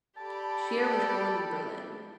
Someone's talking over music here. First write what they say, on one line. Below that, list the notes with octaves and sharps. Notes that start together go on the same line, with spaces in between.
Scheer was born in Berlin.
G4 A4 D5 A5 B5